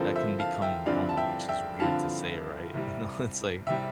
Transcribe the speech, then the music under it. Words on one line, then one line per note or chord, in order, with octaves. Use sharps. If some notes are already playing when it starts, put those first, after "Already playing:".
that can become normal, which is weird to say, right? You know, it's, like
Already playing: G2 D3 F3 C4 A4 A#4 C5
C5 E5
F5 A5
E5 G5
G2 D3 F3 C4 D5 F5
A5
E5 G5
E5 G5
G2 D3 F3 C4 F5 A5
C2 C3 G3
C2 C3 G3 E5 G5